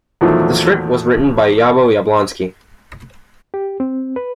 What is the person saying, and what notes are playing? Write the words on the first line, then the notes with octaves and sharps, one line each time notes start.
The script was written by Yabo Yablonsky.
E2 A#2 D#3 F3 F#3 A3
G4
C4
B4